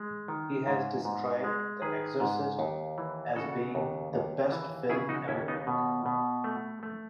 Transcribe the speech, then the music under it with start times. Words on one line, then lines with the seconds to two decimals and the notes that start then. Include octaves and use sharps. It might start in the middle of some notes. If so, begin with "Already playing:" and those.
He has described "The Exorcist" as being "the best film ever made".
Already playing: G#3
0.28 D#3
0.67 G#2
1.05 G#2
1.44 G#3
1.82 D#3 G#4 B4
2.20 G#2
2.59 D#2
2.98 E3
3.36 C#3 F#4 A4
3.75 D#2
4.14 D#2
4.52 E3
4.89 C#3 E4 G#4
5.09 D#4 F#4
5.28 D#2 C#4 E4
5.48 B3 D#4
5.67 B2
6.06 B2
6.44 A3
6.83 A3